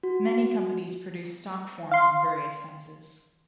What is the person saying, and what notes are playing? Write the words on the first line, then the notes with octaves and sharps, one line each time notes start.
Many companies produce stock forms in various sizes.
F#4
F5 C6